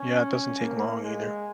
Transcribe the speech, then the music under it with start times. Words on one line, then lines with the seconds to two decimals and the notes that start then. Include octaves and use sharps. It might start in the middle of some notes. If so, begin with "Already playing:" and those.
Yeah, it doesn't take long, either.
Already playing: C#4
0.59 A#3
1.03 G#3